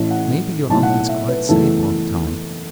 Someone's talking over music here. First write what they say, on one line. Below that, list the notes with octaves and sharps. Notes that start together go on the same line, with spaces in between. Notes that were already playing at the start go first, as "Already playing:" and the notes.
Maybe your uncle is quite safe all the time.
Already playing: A1 A2 A3
F#5
B1 A2 A3 A5
F#5
E5
B4
F#1 E2 E3 A3 A4